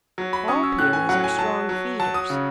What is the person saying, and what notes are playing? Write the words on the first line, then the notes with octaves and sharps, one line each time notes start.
All Paeonies are strong feeders.
F#3
B5
C#4 D#6
E6
A2 F#6
G#5
F#3 F#5
G#5
F#3 A5
F#3
F#3 A5
D#6
C#3